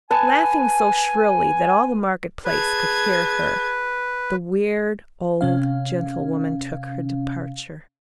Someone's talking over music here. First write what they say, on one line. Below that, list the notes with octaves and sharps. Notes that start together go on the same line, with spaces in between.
Laughing so shrilly that all the market-place could hear her, the weird old gentlewoman took her departure.
B4 G#5 A5
G#4 B4 A5 G#6
C3 C#4 F5